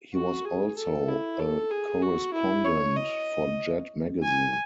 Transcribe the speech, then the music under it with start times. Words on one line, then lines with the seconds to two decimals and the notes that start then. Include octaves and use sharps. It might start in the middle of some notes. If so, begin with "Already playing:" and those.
He was also a correspondent for Jet magazine.
0.14 F#4
0.45 G#4
0.77 A4
1.08 E4
1.40 A4
1.70 G#4
2.02 F#4
2.34 E4
2.64 C#5
2.96 D#5
4.22 G#5